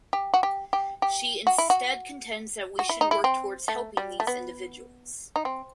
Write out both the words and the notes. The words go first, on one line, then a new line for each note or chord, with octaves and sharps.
She instead contends that we should work towards helping these individuals.
G4
F#4
G4
G4
G4
F#4
E4
F#4
F#4
E4
D#4
E4
C4
A3
G3
A3
B3
D#4
C4